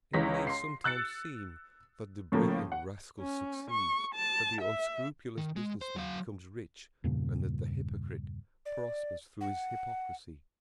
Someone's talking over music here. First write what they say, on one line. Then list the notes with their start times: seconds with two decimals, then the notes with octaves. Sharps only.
It may sometimes seem that the brilliant rascal succeeds, that the unscrupulous business man becomes rich, and that the hypocrite prospers through his hypocrisy.
0.13 C#2 E3 C#5 A#6 B6
0.47 C6 C7
0.84 E6 F#6 A6 C#7
2.32 A2 C#3 F3 A3 A#3
2.72 F#5
3.20 C#4
3.71 C#6
4.15 A5
4.61 E5
5.38 D#3
5.56 G#3
5.81 C5
5.96 F#3 F5
7.04 E2 G2 A#2 C#3
8.65 D5
9.41 F#5